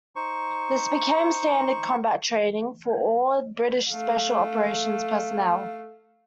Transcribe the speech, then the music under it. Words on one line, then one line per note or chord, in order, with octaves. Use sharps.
This became standard combat training for all British Special Operations personnel.
D#4 C5 C#6
A3 F5